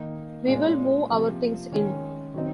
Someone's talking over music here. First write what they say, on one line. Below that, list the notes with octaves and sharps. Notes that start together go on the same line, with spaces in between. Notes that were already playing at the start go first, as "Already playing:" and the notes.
We will move our things in.
Already playing: D#3 A#3 D#4
A#2 G#3 C#4
C3 F3 A#3
D#3 G#3 C#4
D#3 F#3 C4 D#4